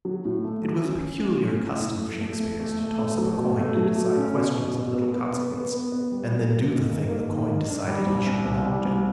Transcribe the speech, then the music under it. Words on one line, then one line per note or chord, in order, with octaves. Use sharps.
It was a peculiar custom of Shakespeare's to toss up a coin to decide questions of little consequence, and then do the thing the coin decided he should not do.
F#3
A2
A3
F#3
C#4
C#4
A3
C#4
A2
A2
A3
A3
A3
A3
A3
A3
F#3
B2
A3
F#3
A3
C#4
B2
B2
B2
B3
B3
B3
B3
B3
B3
G3
F#3
A#3
D#3
D#3
A#3
D#3
D#3
D4
G3
C2
C2
C2
G3
C2